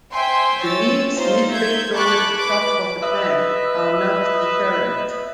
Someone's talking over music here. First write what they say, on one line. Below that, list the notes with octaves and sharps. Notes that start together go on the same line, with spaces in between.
The leaves midway towards the top of the plant are not decurrent.
C5 E5 G5 G#5 C6
C#5 E6 A6
D#4 F4 C5
E5 G6 G#6
A5 B5 C#6 D6 F#6 A6
B4 B5 D6
B4 D#5 E5